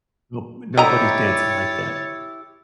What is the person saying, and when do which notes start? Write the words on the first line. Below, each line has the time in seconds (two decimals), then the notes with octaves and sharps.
No nobody's dancing like that.
0.78 D3 E4 G4 C#5 D#5 E5 A#5 A6